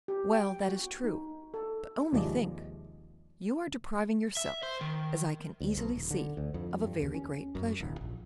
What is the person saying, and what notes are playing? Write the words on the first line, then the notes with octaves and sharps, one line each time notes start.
"Well, that is true; but only think! you are depriving yourself, as I can easily see, of a very great pleasure."
G4
G5
F#4
D#4
A4
D#2 C3 F3 G#3 D5 D#5
E5
C5
D#3
D2
B1
D#1
D3
D2
F2
G2
D#2
C#4
F#2
D#1
A#1